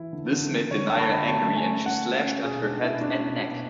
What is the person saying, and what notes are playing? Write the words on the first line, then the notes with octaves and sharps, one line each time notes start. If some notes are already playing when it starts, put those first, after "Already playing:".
This made Denyer angry, and she slashed at her head and neck.
Already playing: E3 E4
D3
D3
D3
D3 C#5
D3 A5
B5
D3
A3 A5
A3
G#5
C#4
A3 F#5
C#4
C#4
B2 G#4
G#3 D4
B2 E4
C#4 D4
B2
B2